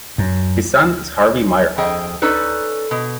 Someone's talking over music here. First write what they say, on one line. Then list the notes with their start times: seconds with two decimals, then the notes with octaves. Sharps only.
His son is Harvey Meyerhoff.
0.18 F#2
1.78 F2 G#4 D#5 G5
2.22 C#4 D#4 A4 B4 D5
2.91 B2